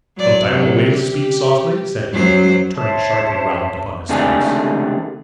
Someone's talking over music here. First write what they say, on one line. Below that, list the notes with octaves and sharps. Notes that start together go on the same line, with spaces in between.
'Don't I always speak softly?' said he, turning sharply round upon his spouse.
F#3 D5
C3 F#3
G4
F#2 F#3 C5
C5 C#5 E5 A5
C#2 C3 D#3 A3 D4 G#4